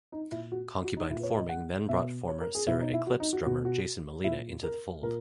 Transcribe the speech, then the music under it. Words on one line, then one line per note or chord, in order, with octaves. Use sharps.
Concubine Forming then brought former Sera Eclipsed drummer Jason Molina into the fold.
D#4
A#2 E4
F#4
F#4
D#4
A#2 E4
B4
C#5
D#5
F#5
B2 E5
C#5
A#4
G#4
B2 E4
D#4
E4
F#4
D#4
F#4
B2 F#4
F#4
A#2 E4
A#4
A#2 A#4